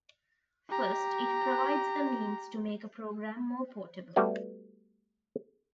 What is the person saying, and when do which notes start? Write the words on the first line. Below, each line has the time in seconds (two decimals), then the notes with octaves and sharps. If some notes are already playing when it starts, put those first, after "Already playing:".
First, it provides a means to make a program more portable.
0.69 G4 A#5
4.16 G3 A3 B3 F#4 D5